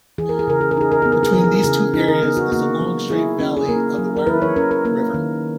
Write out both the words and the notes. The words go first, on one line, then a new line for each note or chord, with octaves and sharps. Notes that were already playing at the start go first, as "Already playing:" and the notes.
Between these two areas is the long straight valley of the Wairau River.
E3 G#4
A#4
G#4
C#3 A#4
G#4
A#4
D#4 G#4
A#4
B3 G#4
A#4
G#4
E3 A#4
G#4
A#4
C#3 G#4
D#4 G#4
A#4
B3 G#4
F#4
A#3 F#4
F#3
E4 G#4
C#4
G#4
A#3 A#4
F#3
A#4
E4 B4
C#5
C#4 A#4
A#4
A#3 A#4
D#3